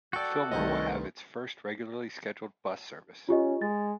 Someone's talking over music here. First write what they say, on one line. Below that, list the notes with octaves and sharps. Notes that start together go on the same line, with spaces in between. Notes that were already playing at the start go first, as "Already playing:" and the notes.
Fillmore will have its first regularly scheduled bus service.
F#4 A4 D5 G5
C2 G2 D#3 A3 C5 D#5
C#4 F4 G4 D#5
G#3 A6